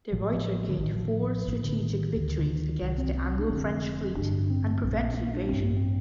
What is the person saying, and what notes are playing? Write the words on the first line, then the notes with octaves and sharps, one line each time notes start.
De Ruyter gained four strategic victories against the Anglo-French fleet and prevented invasion.
A1 A2 F3
D3
A1 A2 D#3
F3
A1 A2
D3
D#3
D2 D3
D3
D#3
C2 C3 D#3
C4
C4
D4
F1 F2 D3 C4
A1 G2 D3 D4
C4
A#1 A#2
C4
A#3
D4
A1 G2 D3 C4
A#3
C4